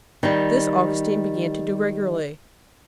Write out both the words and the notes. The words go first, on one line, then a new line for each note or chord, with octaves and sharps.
This Augustine began to do regularly.
D#3 G3